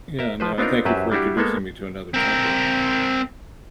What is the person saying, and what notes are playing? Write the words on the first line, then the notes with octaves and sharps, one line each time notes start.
Yeah, no, and thank you for introducing me to another topic.
A#4 E5
F3 B4 C5
B3 C4 D4 D#4 F4 A#4
F#2 F#3 G4 B4 C5 E5
G3 D4 E4 F#4 G4
G#3 A#3 B3 A4
C4 A#4